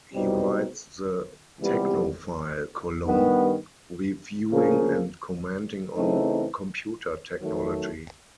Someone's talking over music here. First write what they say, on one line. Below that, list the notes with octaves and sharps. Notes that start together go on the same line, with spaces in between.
He writes the "Technofile" column, reviewing and commenting on computer technology.
C2 B2 G3 C4 D#4
C#2 C3 E3 G3 B3
G2 D#3 G3 B3
D2 C#3 F3 A#3
C#3 E3 A3 C4 D#4
D#3 F#3 A3